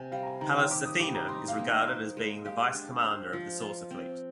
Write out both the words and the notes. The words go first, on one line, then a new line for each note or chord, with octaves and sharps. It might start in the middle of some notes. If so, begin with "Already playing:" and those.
Pallas Athena is regarded as being the Vice-Commander of the saucer fleet.
Already playing: C3 G#5
G3 F5
A#5
G#5
D#3 A#5
C6
G4 D6
D#6
G3 D6
A#5
D#4 C6
F5
A#3
D#5
C5
G#3
G4 F5
D4
C5
F3
F4
C4